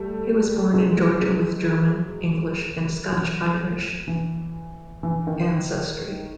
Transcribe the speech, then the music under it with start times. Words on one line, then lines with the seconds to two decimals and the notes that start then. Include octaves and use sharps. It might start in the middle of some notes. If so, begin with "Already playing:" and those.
He was born in Georgia with German, English and Scotch-Irish ancestry.
Already playing: G3 A3
0.73 F#3 G#3
0.97 F#3 G#3
1.21 F#3 G#3
3.12 E3 F#3
4.08 E3
5.03 E3
5.27 D#3